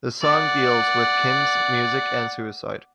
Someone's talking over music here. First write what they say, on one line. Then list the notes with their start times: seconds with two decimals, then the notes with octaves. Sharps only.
The song deals with Kim's music and suicide.
0.22 D5 F#5